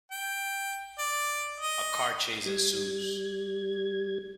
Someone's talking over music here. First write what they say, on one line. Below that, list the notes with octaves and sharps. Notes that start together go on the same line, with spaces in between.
A car chase ensues.
G5
D5
D#5
G3 G#6